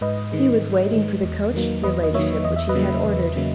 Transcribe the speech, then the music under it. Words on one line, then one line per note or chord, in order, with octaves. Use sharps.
"He was waiting for the coach, your ladyship, which he had ordered."
G#2 B4 D#5
D#3 G#3
G#2
D#3 G#3
E2
D#3 F#3 A#3
E2 B4 D#5
D#5
D#3 F#3 A#3 C#5 E5
E2 D#5
E5
B4 D#5
C#3 F#3 A#3
E2
C#3 F#3 A#3